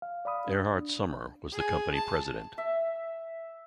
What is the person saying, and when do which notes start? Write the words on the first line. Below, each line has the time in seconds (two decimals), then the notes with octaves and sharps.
Erhard Sommer was the company president.
0.02 F5
0.25 D5 F5 B5 D#6
0.48 D4
1.53 G#4 G#5
1.94 A5
2.58 E5